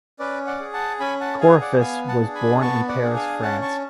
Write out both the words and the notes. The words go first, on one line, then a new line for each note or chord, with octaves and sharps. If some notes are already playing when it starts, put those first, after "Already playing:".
Corraface was born in Paris, France.
C#4 B4 D5
D5 F#5
G#4
F#5 A5
C#4 G#5 B5
F#5 A5
G#4 F5 G#5
D5 F#5
B3 F5 G#5
F#5 A5
D4 G#4
G#5 B5
B3 A5 C#6
D5 F#5
D4 G#4
F5 G#5
C#4 F#5 A5
A5 C#6